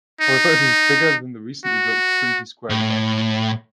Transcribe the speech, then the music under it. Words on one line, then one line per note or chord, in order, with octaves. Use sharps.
However, it is bigger than the recently built Trinity Square development.
D#4
F#4
A2